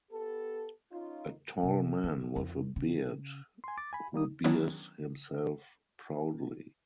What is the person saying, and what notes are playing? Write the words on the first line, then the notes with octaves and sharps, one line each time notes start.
A tall man with a beard, who bears himself proudly.
B3 G4 A4
C#4 D#4 F4
C3
F3
F2
C#3
G#5 C6
D6 A6
G#5 B5
G3 A#3 D#6
D#3 F#3 B3 C#4 D4 E4